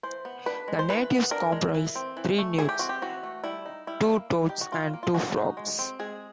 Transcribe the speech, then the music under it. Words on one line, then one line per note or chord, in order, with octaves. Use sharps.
The natives comprise three newts, two toads and two frogs.
E3 C5
B3
D4 B4
G#3
C5
E3 B4
B3
D4 A#4
G#3
E3
C4
E3
A3
E3 G#4
G4
C4 F#4
G4
E3 F#4
A3
G3 E4
D#4
G3 E4
A#3
G3
D#4 G4
F#4
G3 F4
A#3
F4
G#3 F#4
D#4
G#3
C4
G#3 G#4